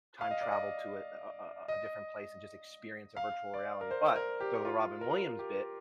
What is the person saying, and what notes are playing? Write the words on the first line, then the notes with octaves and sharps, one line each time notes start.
time travel to a a a a a different place, and just experience a virtual reality, but so the Robin Williams bit,
F5
D#5
D5
D#5
D#5
F5
D5
A#4
C5
A#4
G4
F4
A#4
G4